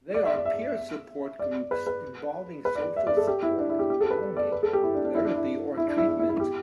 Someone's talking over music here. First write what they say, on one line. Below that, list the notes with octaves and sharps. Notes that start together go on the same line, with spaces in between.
They are peer support groups, involving social support and belonging, not therapy or treatment.
D5
E5
D5
E5
D5
B4
B4
B4
D5
E5
D5
A4
G4
E4
D4
E4
G4
G4
A4
B4
D5
B4
A4
G4
E4
D4
D4
E4
D4
E4
E4
D4
E4
E4
E4
E4
G4